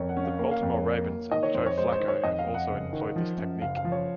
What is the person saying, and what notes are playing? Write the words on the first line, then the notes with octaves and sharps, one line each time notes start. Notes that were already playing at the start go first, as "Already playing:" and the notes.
The Baltimore Ravens and Joe Flacco have also employed this technique.
Already playing: F2 A#4 C#5
F#5
C#4
F5
A#3 F5
F5
F2
C#5
A#3
A#3
D#3 D#5
C#5
F2 C5
C#5
G#3 C5
C5
D#3
C#5
F2 D#5
F5
F2
F#5
F#1
D#3
F3
F#2
F#1 F5
F5
F3
C#5